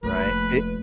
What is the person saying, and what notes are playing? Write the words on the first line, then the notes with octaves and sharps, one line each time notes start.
Right, i
F1 A#3 B4